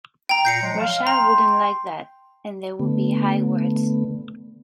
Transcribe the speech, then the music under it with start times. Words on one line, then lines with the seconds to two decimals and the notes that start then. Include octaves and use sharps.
Russia wouldn’t like that, and there would be high words.
0.29 G5 A#5
0.45 A#2 A#5 G6 C7 C#7
0.61 F3 F#3 G#3
0.81 F5
1.07 G5 A#5 C6
2.80 D3 A3 B3